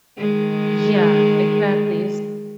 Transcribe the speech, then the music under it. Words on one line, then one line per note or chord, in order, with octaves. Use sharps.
Yeah. Exactly, it's
D#3 G#3